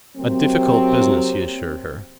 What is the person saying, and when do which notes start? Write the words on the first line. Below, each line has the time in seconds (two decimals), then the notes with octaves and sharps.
"A difficult business," he assured her.
0.17 C3 F#3 A#3 C4